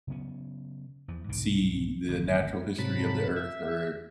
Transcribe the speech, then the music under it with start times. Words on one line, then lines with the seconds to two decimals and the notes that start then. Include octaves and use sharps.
see the natural history of the earth or,
0.07 C#3 F#3 B3 C#4
1.08 E2 F3
1.28 C2 G#2 B2 D3
2.08 G#1 D2
2.79 G#2 C3 F#3 A5 B5
3.36 E5